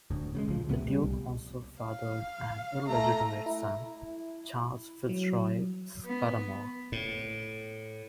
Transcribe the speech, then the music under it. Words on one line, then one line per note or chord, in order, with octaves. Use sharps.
The Duke also fathered an illegitimate son, Charles FitzRoy-Scudamore.
D1 D2 A2
C#3 G3 G#3
A#1 F3
C#2 A2 C3 B3
G3
C2
F5
A3 A#5
E4
F#3
B3
A2